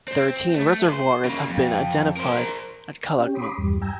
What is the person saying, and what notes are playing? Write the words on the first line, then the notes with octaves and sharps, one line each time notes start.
Thirteen reservoirs have been identified at Calakmul.
C4
A3
B4 C5
C#3 A#3
F2
A#4 C5
C#4 G4
B5 C6 D6 D#6
E2 G2 G3
G5 G#5 A#5 E6